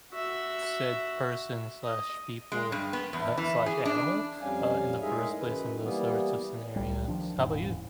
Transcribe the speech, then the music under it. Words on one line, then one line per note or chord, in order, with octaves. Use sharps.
said person/people, uh, /animal, uh, in the first place in those sorts of scenarios. How 'bout you?
F#4 E5
D#5
G#3
G2
B3
E2
E3
G#4
D4
F2 G3 C#4 F5 G#5
A2 G#3 D#4 G#4 A#4 E5
F#2 D#3 B4
E3 G3 A#3 B3
C#2 G3
D#3 F3 D4
D#1 G#2 C#3 E3